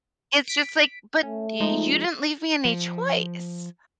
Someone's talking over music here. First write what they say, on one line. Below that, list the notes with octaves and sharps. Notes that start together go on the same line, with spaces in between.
it's just like, but y you didn't leave me any choice,
B6 D7
A3 C#4
F3 G#3 D#4
F3